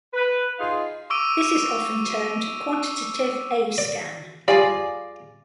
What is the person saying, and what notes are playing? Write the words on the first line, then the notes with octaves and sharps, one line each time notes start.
This is often termed quantitative A-scan.
B4
D#4 F4 G#4 F5 C6
C#6 D6 E6 D7 D#7
D5
G3 F4 G#4 D5 F5